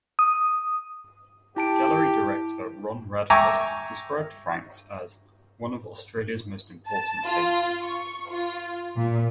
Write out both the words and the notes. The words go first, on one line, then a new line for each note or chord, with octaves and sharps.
Gallery director Ron Radford described Franks as 'one of Australia's most important painters'.
D#6
E4 G4 A5 D7
E5 G5 G#5 A#5 C#6 D6
A5
F4
C#6
F4
A#2